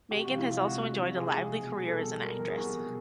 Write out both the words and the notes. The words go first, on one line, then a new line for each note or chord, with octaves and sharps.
Megan has also enjoyed a lively career as an actress.
C3 G4
F#4
F3 G#3 F4
E4
C3 F4
F3 G#3 F#4
C3
F3 G#3
C3 G#4
F3 G#3
B2
G3
B2 A4
G3
B2 A#4
G3 A#4
G#4
B2 F#4
G3